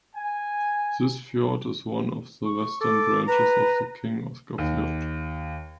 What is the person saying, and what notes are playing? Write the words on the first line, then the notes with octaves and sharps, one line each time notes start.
This fjord is one of the western branches of the King Oscar Fjord.
G#5
C#6
A4 D6
B4 A#5
D#2